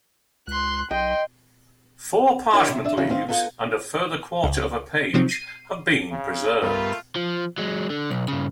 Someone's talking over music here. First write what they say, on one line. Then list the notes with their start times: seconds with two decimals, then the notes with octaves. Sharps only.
Four parchment leaves and a further quarter of a page have been preserved.
0.47 C#2 C6 F#6
0.91 B1 D#5 G5 C6
2.53 D4 E4 G4 A#4 C#5 D#5
2.69 C3 E4
2.84 D4 E5
2.97 C#3 F#3 C#4 E4 F#4
3.09 D#3 C4 F5
3.28 B3 D#4 F4 A4
4.44 C#2
5.14 C3 D#3 F3 F#3 C4
5.29 C7 D#7
6.12 C#3
6.62 G2 A3 B3 F4 A#4
7.16 F3
7.58 F#3 G#3
7.90 D3
8.10 B1
8.28 G2 C#3